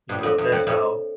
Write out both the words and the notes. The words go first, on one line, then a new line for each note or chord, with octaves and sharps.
You know, that's how
G2
E2
F2
E2
F2
F2